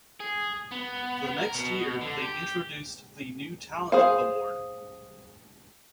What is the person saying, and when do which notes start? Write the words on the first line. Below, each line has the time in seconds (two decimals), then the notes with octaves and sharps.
The next year, they introduced the new talent award.
0.20 G#4
0.71 B3
1.38 A#4
1.54 B2
2.01 D3
2.22 G4
3.92 G#4 C5 F5